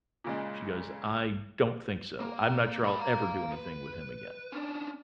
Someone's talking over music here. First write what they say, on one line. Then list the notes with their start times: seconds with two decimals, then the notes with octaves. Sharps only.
she goes, "I don't think so, I'm not sure I'll ever do anything with him again."
0.24 A#2 C#3 G#3
2.20 A#3
2.84 G#2 B5
3.00 F5 A#5
3.53 B4
4.52 C#4 D4